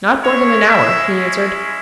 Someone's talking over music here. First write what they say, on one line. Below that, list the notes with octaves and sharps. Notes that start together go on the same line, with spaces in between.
"Not more than an hour," he answered.
G#3 C#4 E4 C#5
E5